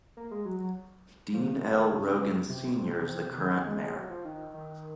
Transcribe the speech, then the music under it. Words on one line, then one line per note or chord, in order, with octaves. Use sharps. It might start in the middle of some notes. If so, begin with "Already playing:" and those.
Dean L Rogan Senior is the current mayor.
A#3
G#3
F#3
F#3
F3
F3
D#3
C#3
C3
C3
C3
D#3
G#3
G#3
F#3
F3
D#3
D#3